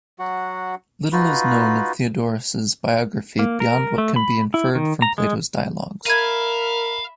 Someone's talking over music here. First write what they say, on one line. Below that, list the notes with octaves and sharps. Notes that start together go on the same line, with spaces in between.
Little is known of Theodorus' biography beyond what can be inferred from Plato's dialogues.
F#3 F#4 F#5
D#4 F4 F#4 B4
A#3
A#4
A3
B5
E4
D#3
A#5
G#3
A#4 E5 F5 B5 G#6 D#7